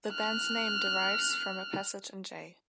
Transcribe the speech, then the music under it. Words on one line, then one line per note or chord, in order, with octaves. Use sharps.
The band's name derives from a passage in J.
F6 F#6